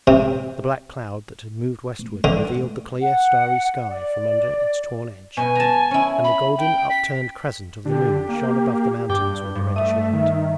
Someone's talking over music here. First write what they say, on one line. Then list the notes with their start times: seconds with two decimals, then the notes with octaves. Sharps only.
The black cloud that had moved westward revealed the clear starry sky from under its torn edge, and the golden upturned crescent of the moon shone above the mountains with a reddish light.
0.07 C3
2.24 D3
3.02 F#5
3.89 D5
5.37 B2 G#5
5.55 A5 A#5
5.91 C#4 E4
6.24 B5
6.58 G5
6.90 B6
7.85 D3 G4
8.29 A#3
9.09 G2 G5 D6
9.55 G2
9.76 A3 E5 D#6
10.13 D#3